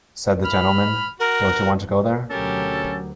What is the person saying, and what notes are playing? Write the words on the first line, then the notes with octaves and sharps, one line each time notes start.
Said the gentleman, "Don't you want to go there?"
B5 F6
F#4 A#4
D2 B2 F#3 C#4 G4 A4 A#4